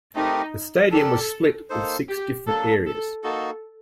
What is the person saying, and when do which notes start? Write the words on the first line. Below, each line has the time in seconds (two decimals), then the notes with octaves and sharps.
The stadium was split with six different areas.
0.15 A3 C4 D#4 G4 A#4
0.92 D4 G4 A4 A#4 D5
1.70 A#3 D#4 A4 C5
2.09 G4
2.47 F#3 A#3 D4 A4
2.85 A4
3.23 A#3 D#4 F#4 A4